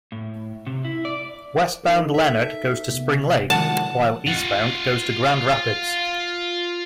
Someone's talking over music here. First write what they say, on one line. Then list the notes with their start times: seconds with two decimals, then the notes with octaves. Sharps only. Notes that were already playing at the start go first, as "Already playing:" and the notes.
Westbound Leonard goes to Spring Lake, while eastbound goes to Grand Rapids.
0.12 A2
0.67 C3
0.85 E4
1.05 D5
1.84 D#4 A#4
2.14 A4 E5
2.90 C3 B3
3.50 D#3 F3 G#3 F#5 A5
4.27 F4 F#5